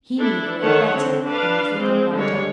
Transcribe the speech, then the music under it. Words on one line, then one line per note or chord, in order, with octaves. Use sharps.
He knew the way better than his little rider.
D4 E4 A4
D#3 A4 C#5 F#5
D3 C4
D4 B4 D5 F5
G#3 C4
D3 G3 G#3 D4 C#5